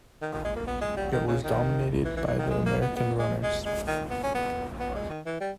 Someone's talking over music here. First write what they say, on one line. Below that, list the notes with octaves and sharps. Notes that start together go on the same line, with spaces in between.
It was dominated by the American runners.
D#3
D#3
G#3
A#3
B3
G#3
G3
D#3
C#3
D#3
E3
E3
E3
D#3
G#3
A#3
B3
B3
G#3
G#3
G#3
D#3
B3
C#4
B3
B3
G#3
D#3
E3
G3